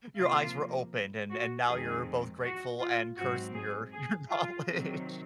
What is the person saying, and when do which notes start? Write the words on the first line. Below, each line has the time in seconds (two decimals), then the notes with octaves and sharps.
Your eyes were opened, and and now you’re both grateful and cursing your your knowledge.
0.19 C3 F3 A#3 F4
1.31 F#4
1.68 F2 D#3 G#3 C4 G#4
2.43 F#4
2.80 F4
3.18 G#2 F#3 C4 F#4
3.55 G#4
3.93 G#4
4.30 F4
4.67 C3 D#3 F#3 C4